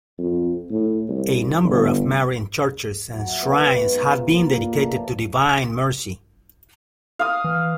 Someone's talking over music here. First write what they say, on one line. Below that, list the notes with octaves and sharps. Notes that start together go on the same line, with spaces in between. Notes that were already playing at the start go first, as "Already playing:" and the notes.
A number of Marian churches and shrines have been dedicated to Divine Mercy.
F2
A2
C2
G1
F#3
E5
B3
C#5
G#2
F4
A#3
A#4
D5
A3
F3
F5 D#6
E3